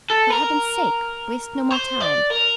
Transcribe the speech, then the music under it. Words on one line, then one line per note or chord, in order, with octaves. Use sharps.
For heaven's sake, waste no more time.
A4
A#4
C5
D5
A#4